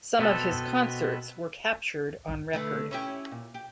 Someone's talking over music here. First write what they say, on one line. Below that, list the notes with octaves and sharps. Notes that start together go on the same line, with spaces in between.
Some of his concerts were captured on record.
B2 B3 C4 A4
D3 A3 B4
C#4 E4 G4
A#2
G4